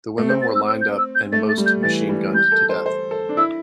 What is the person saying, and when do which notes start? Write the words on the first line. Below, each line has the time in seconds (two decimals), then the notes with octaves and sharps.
The women were lined up and most machine-gunned to death.
0.18 A3
0.29 C4 G6
0.42 A6
0.55 E6
0.67 E6
0.81 G6
0.98 E6
1.15 G6
1.32 A3 A6
1.49 A6
1.58 G3
1.66 G6
1.83 E3 A6
2.09 G3
2.34 G3 G6
2.52 A4
2.69 C5
2.86 C5
3.11 A4
3.29 D4
3.37 E4 E6